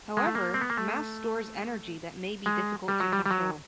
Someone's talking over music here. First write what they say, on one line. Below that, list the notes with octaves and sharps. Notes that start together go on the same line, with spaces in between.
However, mass stores energy that may be difficult to control.
G#3
A3
A#3
C4
B3
A#3
A3
G#3
G3
F#3
G3
G3
F#3